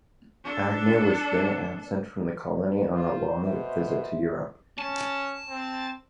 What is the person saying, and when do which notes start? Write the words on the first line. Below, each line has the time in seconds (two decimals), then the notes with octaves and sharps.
Agnew was then absent from the colony on a long visit to Europe.
0.44 D4 A4
2.93 F4 C5
3.44 B2 E5
4.79 C#4 A5
5.49 C4